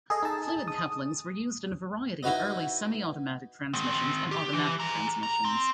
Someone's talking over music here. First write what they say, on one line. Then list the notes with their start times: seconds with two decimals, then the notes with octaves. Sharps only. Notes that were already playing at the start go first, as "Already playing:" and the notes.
Fluid couplings were used in a variety of early semi-automatic transmissions and automatic transmissions.
0.10 G#4 A4 D#5
0.23 D#4 G#4 A5
0.68 D#6
2.23 D#4 E4 F#4 B4 D#5
3.74 D#3 C4
4.31 G4
4.53 E3
4.80 G#4 A#5
5.23 A#5
5.45 C4